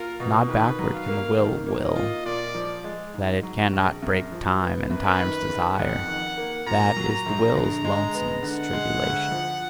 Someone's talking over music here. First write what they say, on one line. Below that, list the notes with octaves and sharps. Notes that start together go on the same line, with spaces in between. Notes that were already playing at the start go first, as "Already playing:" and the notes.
Not backward can the Will will; that it cannot break time and time's desire--that is the Will's lonesomest tribulation.
Already playing: A#3 F4 A#4
B2
D#3 B4
F#3
F5
A#3
D#3
A#3
D#5
F4
A#2 D5
F3
G#3
G#2
F#3
A#1
F#2
F3
B3
F#2 B4
D#3
F#1
F2 F#5
D#3
A#3
A#2 A#5
F#3
A#5
A#1
D3 A#5
G#3
B3
D3 F#5
G#3
D2
F3